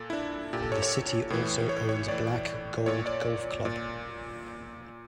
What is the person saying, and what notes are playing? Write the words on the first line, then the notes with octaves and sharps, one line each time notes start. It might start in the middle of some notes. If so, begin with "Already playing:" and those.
The city also owns Black Gold Golf Club.
Already playing: A#2 A4
E4
D4
A#2 G4
A4
C#5
C#5
A2 E3
C#5
C#5
A2 E3 D5
A#2 C#5
D5
A#2